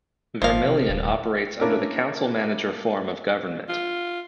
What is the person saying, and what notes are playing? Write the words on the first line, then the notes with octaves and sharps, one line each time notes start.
Vermillion operates under the council-manager form of government.
G#1 F3 F5
C3
D#1
A#3 C#4 D4 E4 A#4
F4